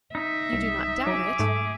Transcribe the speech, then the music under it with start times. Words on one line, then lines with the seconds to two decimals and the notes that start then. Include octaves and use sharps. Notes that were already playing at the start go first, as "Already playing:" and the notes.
"You do not doubt it?"
0.15 D#4 E5
0.53 C2
1.07 F#3 G#4 D6
1.39 G#2 A3